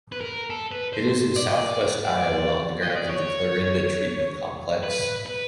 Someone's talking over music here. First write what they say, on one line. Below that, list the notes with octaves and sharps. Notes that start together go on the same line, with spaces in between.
It is in southwest Iowa on the grounds of the Clarinda Treatment Complex.
B4
A#4
A4
B4
C5
D5
D#5
D5
D#5
D5
C#5
B4
B4